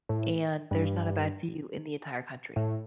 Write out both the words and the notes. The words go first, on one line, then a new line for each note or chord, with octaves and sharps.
and there's not a bad view in the entire country.
A2
G2
A2